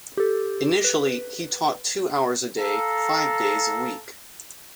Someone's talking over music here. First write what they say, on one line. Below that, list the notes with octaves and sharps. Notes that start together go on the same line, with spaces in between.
Initially he taught two hours a day, five days a week.
G4 A4
B4
A4 F5 A#5